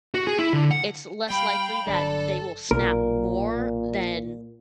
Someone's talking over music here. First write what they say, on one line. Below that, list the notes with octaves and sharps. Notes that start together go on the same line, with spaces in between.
it's less likely that they will snap more than
F#4
G#4
E4
D3
F#5
G3 F5 G5 B5
G1 F#3 D4 A4
B1 A#2 A#4